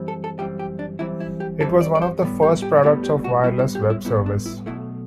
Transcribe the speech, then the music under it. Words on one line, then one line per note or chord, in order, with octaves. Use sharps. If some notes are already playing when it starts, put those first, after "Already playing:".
It was one of the first products of wireless web service.
Already playing: F#2 E3 G3 C4
A4
A4
F#2 E3 G3 C4 G4
G4
D4
F#2 E3 G3 C4 E4
E4
G4
F#2 E3 G3 C4 A4
D5
D5
C5
A2 G3 B3
G4
G4
A2 G3 B3 F#4
G4
F#4
A2 G3 B3 E4
E4
G4
E4
A2 G3 B3 E4
D4
E4
B1 B2 A3 E4